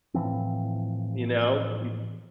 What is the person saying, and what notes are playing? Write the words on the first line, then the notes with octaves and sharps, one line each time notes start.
you know, i
A2 E3 F3 C4